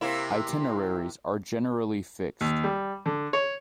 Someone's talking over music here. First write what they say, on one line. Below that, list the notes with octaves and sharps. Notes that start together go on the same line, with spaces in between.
Itineraries are generally fixed.
C3 A#3 E4
D#2
G3
D3
C#5